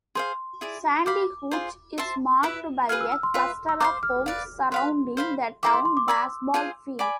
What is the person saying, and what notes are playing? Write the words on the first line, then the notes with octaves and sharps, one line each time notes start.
Sandy Gulch is marked by a cluster of homes surrounding the town baseball field.
G#4 C5 F5 C6
E4 G#4 D5
C5 F5 B5 D6
F4 G#4 C5
C5 E5 A5 C6
E4 B4 E5
G#4 B4 F5 G#5 F6
E6
E6
C6
F4 B4 E5
E6
C5 F5 A5 C6 D6
F6
B4 D5 F5
B4 F5 B5 C6
C5 F5 B5
E4 A4 C5 E5 D6
C6
C6
D6
D5 G#5 B5 E6
F4 G#4 C5 G#5
D5 G#5 B5 D6